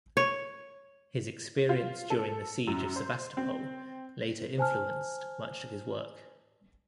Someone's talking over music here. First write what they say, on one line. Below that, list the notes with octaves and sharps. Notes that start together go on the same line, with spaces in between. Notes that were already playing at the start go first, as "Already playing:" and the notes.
His experience during the siege of Sevastopol later influenced much of his work.
C#5
F4
A4
F#2
C5
C4
C5 G#5 A5 F6